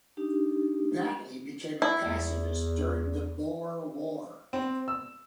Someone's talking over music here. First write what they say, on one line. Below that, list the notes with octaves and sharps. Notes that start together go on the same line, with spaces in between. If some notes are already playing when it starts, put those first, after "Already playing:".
Battley became a pacifist during the Boer War.
D4 D#4 G4
E4
E2
C4
E6